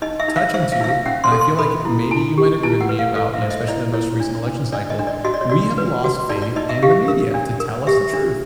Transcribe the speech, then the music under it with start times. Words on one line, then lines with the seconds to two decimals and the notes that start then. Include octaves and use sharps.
touching to and I feel like maybe you might agree with me about, you know, especially the most recent election cycle, we have lost faith in the media to tell us the truth.
0.02 D#4 D#5
0.20 E5
0.28 D#4
0.36 F5
0.54 C5 E5
0.72 F5
0.81 D#4 E5
0.88 F5
1.06 C#4 F#5
1.24 C6
1.32 A4
1.41 C6
1.59 A4 B5
1.85 E4
2.11 E4 A5
2.38 G4
2.63 E4 A5
2.81 F#5
2.89 B4
2.99 F5
3.15 A4 F5
3.34 E5
3.42 C5
3.51 D#5
3.68 E4 D5
3.94 E4 C#5
4.20 D4
4.46 D4
4.72 D4 D5
4.90 D#5
4.99 D4
5.07 D5
5.24 F#4 D#5
5.34 D5
5.41 C#5
5.49 F#4 D5
5.78 B4
6.04 F#4
6.29 D#4 D5
6.42 D5
6.56 D#4 D#5
6.69 E5
6.82 G4 F5
7.08 A#4
7.34 D4
7.60 A#4
7.87 G4 E5
8.13 D4